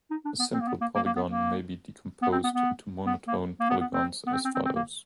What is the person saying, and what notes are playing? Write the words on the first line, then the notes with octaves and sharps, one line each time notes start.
A simple polygon may be decomposed into monotone polygons as follows.
D#4
D4
B3
C4
A#3
B3
A#3
A#3
A#3
B3
A#3
B3
C4
B3
B3
B3
A#3
A#3
B3
B3
C4
B3
C4
C4
C4
C4
A#3